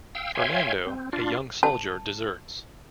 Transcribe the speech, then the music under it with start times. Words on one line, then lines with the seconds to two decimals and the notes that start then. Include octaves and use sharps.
Fernando, a young soldier, deserts.
0.15 F5 G5 E6
0.35 C#5 E5 F5 G5 G#5 C6
0.87 C4
1.13 D4 F4
1.63 A5